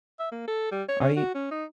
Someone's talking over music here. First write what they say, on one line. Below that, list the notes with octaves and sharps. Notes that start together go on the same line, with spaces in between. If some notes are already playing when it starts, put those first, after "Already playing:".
Are you
E5
A#3
A4
G3
C#5
C#4
F#4
C#4
D#4